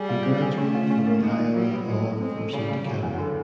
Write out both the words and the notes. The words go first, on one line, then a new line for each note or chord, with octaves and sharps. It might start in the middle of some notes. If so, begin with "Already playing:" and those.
He graduated from the Iowa Law Enforcement Academy.
Already playing: G3 G#4
F4
C4
G#4
A3 C#4
F4
C#4
A#3
G#3 D#4
D#3
F#3 G3
B3
F#3 G#3
A3
G#3 C4
A3
C#3 G3
C#3
C#3 F#3
E2
D3